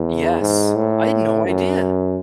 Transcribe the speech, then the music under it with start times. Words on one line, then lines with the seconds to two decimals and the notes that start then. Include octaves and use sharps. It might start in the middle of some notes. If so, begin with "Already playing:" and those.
Yes, I'd no idea.
Already playing: E2
0.41 G#2
0.76 A2
1.46 F#2